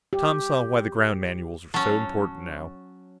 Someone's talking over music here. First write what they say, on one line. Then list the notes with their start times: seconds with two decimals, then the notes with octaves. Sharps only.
Tom saw why the ground manuals were so important now.
0.13 G4
1.74 F#3 C#4 A5